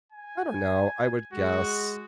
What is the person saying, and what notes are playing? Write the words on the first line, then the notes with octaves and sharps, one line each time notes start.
I don't know, I would guess
G#5
G#3 F#4